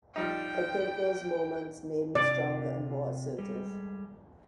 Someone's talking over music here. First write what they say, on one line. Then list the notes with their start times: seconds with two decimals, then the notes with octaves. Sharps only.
I think those moments made me stronger and more assertive.
0.16 F3 G3 D#4 G5
2.15 C3 F4 D5
3.38 G3 G#3 A4